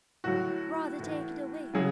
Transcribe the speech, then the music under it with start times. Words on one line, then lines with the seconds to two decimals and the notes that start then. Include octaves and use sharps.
Rather take it away!
0.24 A2 F#3 F#4
0.99 A2 E3
1.73 C#3 F#3 G#4